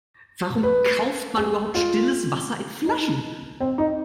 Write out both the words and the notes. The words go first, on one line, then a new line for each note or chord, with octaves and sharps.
Warum kauft man überhaupt stilles Wasser in Flaschen?
B4
G#4
F4
D#4
C4
D#4